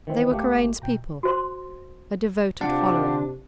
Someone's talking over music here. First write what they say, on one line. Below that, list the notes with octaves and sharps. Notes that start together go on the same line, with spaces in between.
They were Karain's people--a devoted following.
D#3 E3 C4
A1 A3 A#3 G4
G1
B2 G5 A#5
F#4 C5 C6
C3 D4 F4 G4 F#5